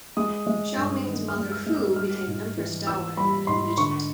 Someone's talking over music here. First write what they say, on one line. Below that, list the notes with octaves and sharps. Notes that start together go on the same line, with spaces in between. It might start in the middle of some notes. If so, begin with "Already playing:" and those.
Xiaoming's mother Hu became empress dowager and regent.
G#3 D#6
G#3
G2
D#3
F6
G#3
E6
G#3
E6
G3 F6
G#2
E3
E3 E6
G3 B5
G#2 C6
D3 C#6